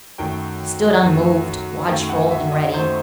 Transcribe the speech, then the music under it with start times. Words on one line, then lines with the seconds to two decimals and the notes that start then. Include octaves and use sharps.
He stood unmoved, watchful and ready.
0.18 F#2 D#3 A3 G5
1.03 F#2 D#3 A3
1.88 F#2 D#3 A3 G5
2.10 F#5
2.31 E5
2.52 D#5
2.73 F#2 D#3 A3 C5